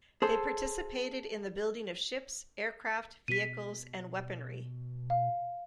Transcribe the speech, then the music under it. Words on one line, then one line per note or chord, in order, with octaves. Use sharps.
They participated in the building of ships, aircraft, vehicles, and weaponry.
G#4 A4 C5
B2 B6 D#7
F5